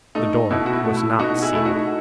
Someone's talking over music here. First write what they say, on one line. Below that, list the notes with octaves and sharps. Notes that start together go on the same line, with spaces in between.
The door was not sealed.
A3 D#4
B2 E4
F#4
E4
A3
E4
B2 D#4 F#4
E4 G#4
A3 E4
D#4 F#4